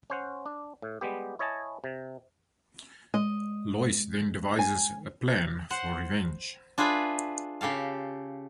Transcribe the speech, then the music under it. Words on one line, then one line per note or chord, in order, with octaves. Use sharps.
Lois then devises a plan for revenge.
C#4 C5 F#5
D4
A2
G3 G#3 B3 G4
E4 C#5 D#5 G#5 A5
C3
G#3 D#5
G#5
C5 F#5
D4 F4 G#4 B4 E5
C#3 G4 A4 F5